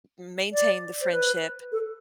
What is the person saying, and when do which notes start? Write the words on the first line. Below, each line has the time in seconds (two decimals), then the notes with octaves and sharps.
maintain the friendship,
0.53 D5
1.01 C5
1.13 B4
1.72 A4